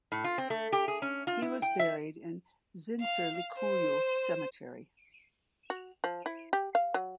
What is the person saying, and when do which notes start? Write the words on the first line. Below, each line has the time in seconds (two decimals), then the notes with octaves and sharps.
He was buried in Zincirlikuyu Cemetery.
0.12 A2
0.24 F4
0.38 C4
0.50 A3
0.72 G4
0.88 G#4
1.02 C#4
1.27 F4
1.42 E4
1.62 G5
1.79 E5
3.01 F5
3.58 C5
5.70 F#4
6.04 F3
6.26 E4
6.53 G4
6.75 F5
6.94 F#3